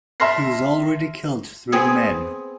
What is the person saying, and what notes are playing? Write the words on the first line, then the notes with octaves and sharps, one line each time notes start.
He's already killed three men.
E5 A5 C6 F6 A#6 C7
B3 C4 G#4